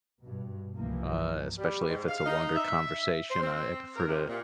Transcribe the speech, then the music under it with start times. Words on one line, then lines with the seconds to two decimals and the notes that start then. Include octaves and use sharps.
uh, especially if it's a longer conversation, I I prefer to
0.21 G2 B2
0.75 C2 G2 C3 E3 F3 A#3
1.58 G3
1.88 G#2
2.08 F5
2.26 D#4
2.56 E5
3.30 C5
3.43 C4
3.96 A#4
4.08 C3
4.28 A#2